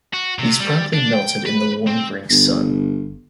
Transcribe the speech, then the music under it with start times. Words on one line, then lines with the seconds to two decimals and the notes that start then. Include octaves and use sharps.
These promptly melted in the warm Greek sun.
0.13 F#4
0.39 C3
0.60 G3
0.93 D4
1.13 G5
1.46 B4
1.87 C4
2.30 G1